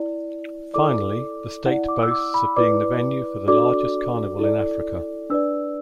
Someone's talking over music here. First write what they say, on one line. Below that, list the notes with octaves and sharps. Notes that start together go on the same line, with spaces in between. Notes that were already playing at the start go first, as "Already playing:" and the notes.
Finally, the state boasts of being the venue for the largest carnival in Africa.
Already playing: E4 D5
E4 A4 D5 D6
E4 D5 F#5
D6
E6
D6
B5
E4 B4 D5 D6
D4 F#4 A4 D5 D6
E4 A4 D5
D4 B4 D5 E6